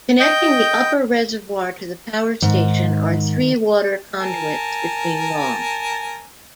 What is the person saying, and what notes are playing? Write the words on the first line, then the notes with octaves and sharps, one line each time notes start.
Connecting the upper reservoir to the power station are three water conduits between long.
D#5 G5 G6
G#2 D#3
A#4 G#5 A5